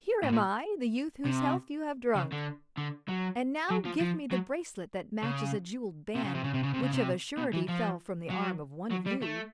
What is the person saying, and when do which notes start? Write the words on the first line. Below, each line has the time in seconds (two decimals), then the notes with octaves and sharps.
'Here am I, the youth whose health you have drunk; and now give me the bracelet that matches a jewelled band which of a surety fell from the arm of one of you.
0.23 A2
0.32 A#2
1.25 C3
2.16 C#3
2.32 D3
2.77 D3
3.09 F#3
3.70 F#3
3.85 F3
4.01 F3
4.32 F#3
5.23 C#3
6.15 C3
6.24 C#3
6.34 C3
6.44 C#3
6.54 C3
6.63 C#3
6.73 C3
6.82 C#3
6.93 C3
7.37 B2
7.53 E3
7.68 F3
8.30 F#3
8.91 F#3
9.06 G3
9.22 A3